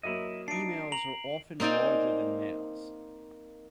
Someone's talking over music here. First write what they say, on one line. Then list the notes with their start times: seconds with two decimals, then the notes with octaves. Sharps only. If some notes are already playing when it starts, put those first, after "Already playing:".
Females are often larger than males.
0.03 F#3 A#3 E4 D#5 E5
0.48 D4 D#4 C7 D7
0.92 A#5 F#7
1.60 A#3 C4 D#4 D5 G#5